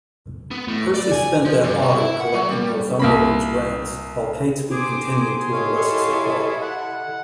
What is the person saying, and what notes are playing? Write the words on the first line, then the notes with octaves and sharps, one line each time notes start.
Percy spent that Autumn collecting Northumberland's rents, while Catesby continued to enlist support.
B3
A2
D5
G#5
F3
G2
B2
E4
F#5
F#3
G3
C2 A#3 B5
G4 G#4 C5 C6 D6
E4 A4 C#5 D#5 F5
F#5